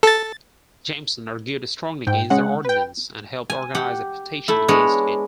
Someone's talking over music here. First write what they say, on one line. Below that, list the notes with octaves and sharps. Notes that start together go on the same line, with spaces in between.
Jameson argued strongly against the ordinance, and helped organize a petition against it.
A4 A6
G#2 G5
C#3 G#3 F#5
B4 G5
G#5
G4 F#5
A3 E4
G#3 B3 D4 C#5